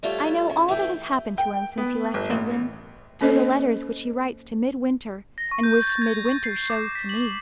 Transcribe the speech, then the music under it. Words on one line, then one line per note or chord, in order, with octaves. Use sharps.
I know all that has happened to him since he left England, through the letters which he writes to Midwinter, and which Midwinter shows to me.
G3 A3 F4 A4 C#5
C#3
E3 A3 G5
G5
B3
G1
A1
A#3 C#4 A4 C5 D#5
A#6
C#6
G6
A6
G#6
C#6
C7
D6
B6
F#7